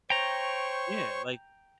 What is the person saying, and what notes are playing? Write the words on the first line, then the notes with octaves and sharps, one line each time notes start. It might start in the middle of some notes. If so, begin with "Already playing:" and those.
Yeah, like
C5 C#5 G5 A#5 C#6